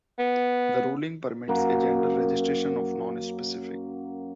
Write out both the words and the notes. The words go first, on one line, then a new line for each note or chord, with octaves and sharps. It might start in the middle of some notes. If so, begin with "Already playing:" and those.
The ruling permits a gender registration of "non-specific".
B3
F#2 A#3 F#4